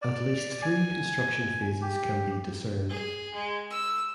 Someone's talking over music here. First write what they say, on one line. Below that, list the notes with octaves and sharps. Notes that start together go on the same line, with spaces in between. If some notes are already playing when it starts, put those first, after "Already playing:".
At least three construction phases can be discerned.
D5
G#5
G4
G#4
G#3
E6